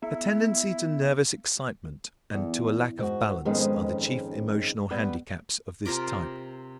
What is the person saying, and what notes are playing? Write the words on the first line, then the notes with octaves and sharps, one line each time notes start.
A tendency to nervous excitement and to a lack of balance are the chief emotional handicaps of this type.
B3 E4
E2
G#2 F#4
F2 G#2 D#3 G#3 B3 C#4
G3 B3 B4
C3 F4 A#4 D6